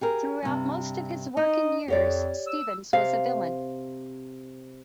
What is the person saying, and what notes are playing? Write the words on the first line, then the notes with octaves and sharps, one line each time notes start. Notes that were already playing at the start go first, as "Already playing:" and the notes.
Throughout most of his working years, Stevens was a villain.
G4 G#4 A#4
G2 C3
D#4 D#5
F2 G4 C#5 D5
E6
C3 F5